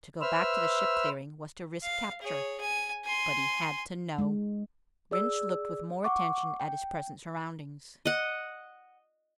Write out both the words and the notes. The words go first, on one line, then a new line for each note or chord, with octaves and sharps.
To go back to the ship clearing was to risk capture--but he had to know. Rynch looked with more attention at his present surroundings.
B4 C5 E5 E6 F6
F5
G#4 C#5
G#5
G#5 C6
G#3
G#4 D5 E6
F#5 C#6 D6
G5
D#5 F#5